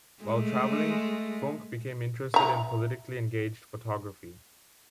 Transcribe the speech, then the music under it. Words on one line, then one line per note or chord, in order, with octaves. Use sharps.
While travelling, Funke became interested in politically engaged photography.
G#3 A3
E5 A#5